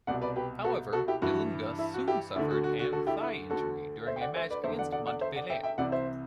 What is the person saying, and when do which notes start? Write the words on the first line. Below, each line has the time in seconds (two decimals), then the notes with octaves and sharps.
However, Ilunga soon suffered an thigh injury during a match against Montpellier.
0.07 C2 B2 D5 F#5
0.22 B4 D5
0.36 G4 B4
0.64 F#4 A4
0.93 F#4 A4
1.08 E4 G4
1.22 G2 E3 F#4
1.79 E4
1.94 F#4
2.08 E4 G4
2.36 D2 E4
2.39 D3
2.51 F#4
2.64 F#4
2.79 F#4
2.92 F#4 A4
3.07 E4 G4
3.21 E4
3.50 D2 D3 F#4 A4
4.07 C5 E5
4.16 G5
4.21 D5 F#5
4.36 C5 E5
4.50 B4 D5
4.64 E2 C5 E5
4.67 D3
4.78 D5 F#5
4.92 D5 F#5
5.06 D5 F#5
5.21 C5 E5
5.36 D5 F#5
5.50 E5 G5
5.63 E5 G5
5.78 C2 C3 E3 D5 F#5
5.92 C5 E5